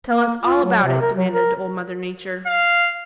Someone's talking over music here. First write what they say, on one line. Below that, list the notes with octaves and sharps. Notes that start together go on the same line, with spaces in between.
"Tell us all about it," demanded Old Mother Nature.
A#3
F4
F#3
C3
A#4
F#3
A#4
F5